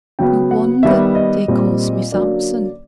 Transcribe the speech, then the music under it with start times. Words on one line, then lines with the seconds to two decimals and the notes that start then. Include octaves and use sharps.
No wonder day calls me Sampson.
0.19 C#3 F#3 B3 G5
0.51 F#5
0.83 D#3 G3 B3 E5
1.15 D#5
1.48 A#2 G3 C4
2.12 D3 F#3 A#3 C#4 D5